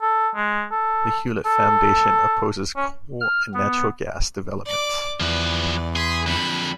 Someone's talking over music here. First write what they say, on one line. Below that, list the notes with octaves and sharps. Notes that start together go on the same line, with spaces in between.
The Hewlett Foundation opposes coal and natural gas development.
A4
G#3
A4
A4
C#4
F6
B3
D5 D6
E2 F3 B4 D5
G#4 C6 B6
F2 D3 B5